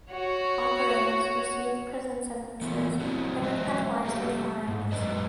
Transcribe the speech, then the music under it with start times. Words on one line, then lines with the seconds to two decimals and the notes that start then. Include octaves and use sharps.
Operators received prison sentences and were penalized with fines.
0.11 F#4 C#5
2.62 E3 A3 B3
3.00 F#3 A3 C4 E4
3.42 F#3 G#3 D#5 E5
4.03 G3 A3 A#3
4.67 G#2
4.92 F#2 E3 G#3 B4 C5 D#5